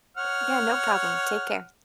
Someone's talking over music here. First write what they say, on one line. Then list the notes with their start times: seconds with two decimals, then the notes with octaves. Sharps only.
Yeah, no problem, take care.
0.17 C#5 F#5 F6